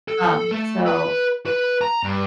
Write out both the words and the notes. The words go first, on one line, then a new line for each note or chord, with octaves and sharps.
Um, so,
A4
A3
B4
B4
A#5
G2